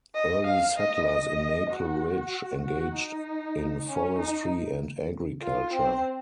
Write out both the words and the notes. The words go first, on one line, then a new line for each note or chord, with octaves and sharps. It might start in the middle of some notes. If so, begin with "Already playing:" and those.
Early settlers in Maple Ridge engaged in forestry and agriculture.
D#5
F5
D#5
D#5
F#4
F#4
D#4
C#4
D#4
F4
C4